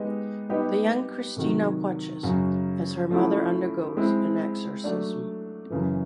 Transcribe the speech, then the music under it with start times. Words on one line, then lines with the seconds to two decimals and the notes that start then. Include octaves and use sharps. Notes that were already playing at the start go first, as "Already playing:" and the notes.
A young Cristina watches as her mother undergoes an exorcism.
Already playing: G#3 B3 D#4 G4
0.49 G3 B3 D#4 G4
1.36 C3 D#3 F#3
2.23 F#2 C#3 F#3
3.10 F3 A3 C#4 E4
3.97 G#3 C4 E4
4.84 F#3 A3 D4
5.70 F#2 C#3 E3